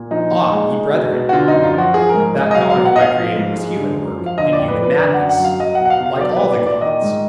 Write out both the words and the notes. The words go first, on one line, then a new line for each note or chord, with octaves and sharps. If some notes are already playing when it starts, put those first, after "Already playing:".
Ah, ye brethren, that God whom I created was human work and human madness, like all the Gods!
Already playing: A#2
F3 D#4
A#2
G#3
G#3
B2
B2
F#4
D3 F4
D#4
F#2
F4
F3 F#4
F3 G#4
G#2 A#4
G#3
D#5
D#5
F#3 F5
F5
B2
F#5
B2 D#5 F5
F3
G#2
G#3
D3
F#2
F3
F5
D3 D#5
D5
F2
B4
F3
B4
D3 D5
F#5
F#2
F#5
F#3 F5
F#3 D#5
F#5
B2
F#5
F5
B2
F5
F#3 D5
A#2 B4
D5
A#2
D5
D#3 D#5
G#2